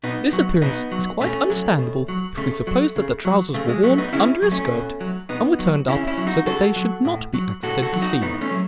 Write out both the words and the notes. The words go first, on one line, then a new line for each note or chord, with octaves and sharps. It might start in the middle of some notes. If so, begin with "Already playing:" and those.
This appearance is quite understandable if we suppose that the trousers were worn under a skirt and were turned up so that they should not be accidentally seen.
B2 B3 D#4
F#3
B2 B3 D#4
F#3
B2 A3 C#4
F#3
B2
F#3
C#3 A3
F#3
C#3
F#3
C#3 A3
G#3
F#3 A3
B3 D#4
D#4
C#3 C#4 E4
F#3
A3 C#4
B2
F#3
B2 B3 D#4
F#3
C#3 C#4 E4
C#4 E4
F#3
D#4 F#4
C#3 F#4 A4
F#3
A2
F#3
A2 F#4 A4
F#4 A4
F#3
D#4 F#4
A2 B3 D#4
A3 C#4
F#3